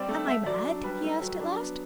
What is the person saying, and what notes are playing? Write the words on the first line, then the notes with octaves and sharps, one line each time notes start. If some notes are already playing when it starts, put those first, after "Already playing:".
"Am I mad?" he asked at last.
Already playing: G3 C4 D5
A3
A3 E5
F#3 D5
D4
G3 B4
A3
F#3
D4
B3